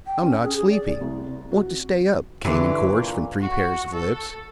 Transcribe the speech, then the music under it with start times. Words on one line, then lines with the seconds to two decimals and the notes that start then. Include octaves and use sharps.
"I'm not sleepy," "Want to stay up," came in chorus from three pairs of lips.
0.07 G5
0.22 C#4
0.43 G#4
0.56 G#4
0.70 D5
1.01 C2
1.27 C3
1.52 F#4
2.44 G2 D3 E3 G4
2.88 A#2
3.41 F#4
3.93 A4